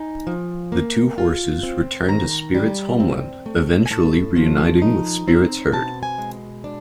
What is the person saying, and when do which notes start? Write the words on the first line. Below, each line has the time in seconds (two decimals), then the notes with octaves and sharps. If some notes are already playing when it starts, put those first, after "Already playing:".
The two horses return to Spirit's homeland, eventually reuniting with Spirit's herd.
Already playing: D#4 G#5
0.27 F3
0.72 A#3
1.18 F4
1.63 C4
2.09 D#3 A#5
2.54 G3
3.00 C4
3.46 A3
3.86 G#5
3.91 A2 A5
4.36 F3
4.82 D#4
5.28 C4
5.72 B2 A5
6.03 G#5
6.18 G#3
6.64 D4